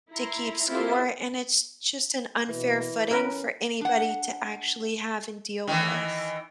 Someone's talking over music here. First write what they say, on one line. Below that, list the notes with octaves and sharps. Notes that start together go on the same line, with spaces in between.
to keep score, and it's just an unfair footing for anybody to actually have and deal with.
E4 A#5 C6
C4 E4 F4 G4 A4 C5
B2 E3
C#4 A#4 B4
D4 F#5
D#3 E3